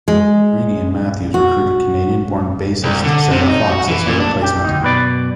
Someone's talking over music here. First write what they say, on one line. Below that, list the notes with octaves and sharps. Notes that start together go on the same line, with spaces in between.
Greaney and Matthews recruited Canadian born bassist Sarah Fox as her replacement.
G#3
F#4
C2
D3
C3
D#4
F#4
E3
A#2
D4
G4
D2 D#4
F#2 B2 B4 D5